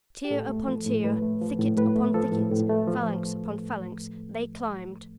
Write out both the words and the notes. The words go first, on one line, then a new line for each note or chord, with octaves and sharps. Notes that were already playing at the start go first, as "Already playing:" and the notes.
Tier upon tier, thicket upon thicket, phalanx upon phalanx they climbed.
G4
A2 A4
A3
F3
A2
A2 B4
A3
F3
A2
A2 B4
A3
F3 A4
A2
A2
A3
F3